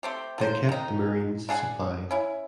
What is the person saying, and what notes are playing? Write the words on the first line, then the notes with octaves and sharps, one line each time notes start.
They kept the marines supplied.
A3 C4 G4
F3 F#3 C5
D#3 D#4
D4 G#4 F#5
C#4 E4